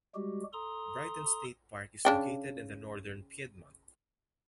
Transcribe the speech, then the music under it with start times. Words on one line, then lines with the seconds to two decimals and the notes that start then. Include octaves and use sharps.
Brighton State Park is located in the Northern Piedmont.
0.15 G3 G#3 F#4 G4
0.53 A4 A#5 C6 D#6
2.05 C#3 D4 G5